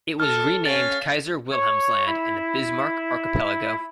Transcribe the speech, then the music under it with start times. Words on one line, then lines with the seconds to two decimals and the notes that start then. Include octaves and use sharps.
It was renamed Kaiser-Wilhelmsland and the Bismarck Archipelago.
0.20 A4 F6
0.65 C#4 F5 A6
1.52 C#5
2.07 E4